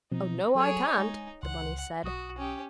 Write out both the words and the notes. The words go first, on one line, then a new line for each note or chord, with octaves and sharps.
"Oh, no, I can't!" the bunny said.
B2 F3 C4 D#4
F#3 G#4 A4 C#5
G#3 D#4 G#5
C#2 F#5 C6
B1 F#4 D#6
C#4 G4